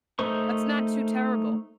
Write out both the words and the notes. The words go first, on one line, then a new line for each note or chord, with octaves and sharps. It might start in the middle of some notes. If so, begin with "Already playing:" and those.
That's not too terrible.
A3 D#4 A#4 C5 C#6